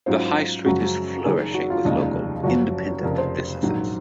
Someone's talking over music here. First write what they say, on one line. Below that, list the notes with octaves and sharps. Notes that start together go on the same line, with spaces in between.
The high street is flourishing with local, independent businesses.
G#2 F#3 C#4 F4 F#4 C5
F#2 C#3 F3 G#3 F#4
F#1 F#2 D#3 G#4
F#4
F4
F1 D#2 C#3 G#3 D#4
F#1 F#2 F3 F#4
F1 F2 C#3 A#4
C5
A#1 G#2 D#3 F#3